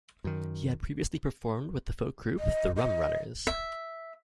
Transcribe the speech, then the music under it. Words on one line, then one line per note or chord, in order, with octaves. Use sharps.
He had previously performed with the folk group the Rum Runners.
F#2 D#3
D#5
D#5
E5